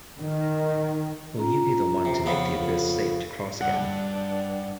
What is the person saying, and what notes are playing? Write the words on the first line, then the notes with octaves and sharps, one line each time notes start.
Will you be the one to make the Abyss safe to cross again.
D#3
C#4 F4 A#5
C3
F2 C#3 B3
F4 A4
G2 D4 F#5